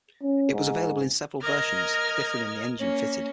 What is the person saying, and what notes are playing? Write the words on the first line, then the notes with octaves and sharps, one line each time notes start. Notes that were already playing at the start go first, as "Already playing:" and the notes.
It was available in several versions, differing in the engine fitted.
C#4
G#2
A#4 D#5 F6 G#6
A#3 C#4